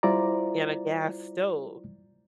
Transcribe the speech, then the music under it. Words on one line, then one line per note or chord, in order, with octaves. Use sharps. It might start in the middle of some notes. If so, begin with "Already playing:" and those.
and a gas stove,
G3 E4 F4 C5 D5 A#5